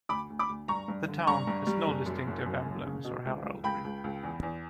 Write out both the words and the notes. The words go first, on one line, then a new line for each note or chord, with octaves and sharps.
The town has no distinctive emblems or heraldry.
D2 B5 D6
D2
B5 D6
D2
G2 A#5 C#6
G2
D3
G2 A#5 C#6
G2
G3
F#1
F#2
F#1
F#2
F#1
C#3
B2
C#2
C#2
C#2 G5 B5
C#2
C#2
E2
E2